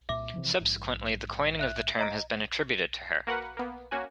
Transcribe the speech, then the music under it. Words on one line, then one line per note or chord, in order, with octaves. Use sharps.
Subsequently, the coining of the term has been attributed to her.
C2 A#2 E5 D6
C3 E3 F3
A#1 G#2
E5 F#6 F7
D#5 A#5 D7
A#3 F#4 A#4 B4 F#5
A#3 B3
A#3 C#4 F#4 G#5